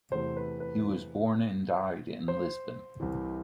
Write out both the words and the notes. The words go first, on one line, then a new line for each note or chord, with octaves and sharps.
He was born and died in Lisbon.
E2 C3 E3 A3 C5
B4
B4
C5
C2 C3 E3